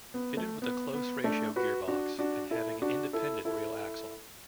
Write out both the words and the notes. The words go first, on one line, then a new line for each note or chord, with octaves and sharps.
Fitted with a close-ratio gearbox and having an independent rear axle.
B3
A3
B3
B3
A3 D4
F#4 B4
D4 F#4
D4 F#4
E4 A4
D4 F#4
E4 A4
E4 A4